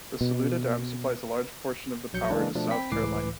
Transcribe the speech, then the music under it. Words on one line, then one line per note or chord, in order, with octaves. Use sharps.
The Saluda Dam supplies a large portion of the power to South Carolina.
B2
A#1 F#3 G6 C#7
C#3 E3 G#3 A#3 D4
B2 F3 A3 D4
C4 G5 B5 B6
C#2 A2 E3 B4 D6 C7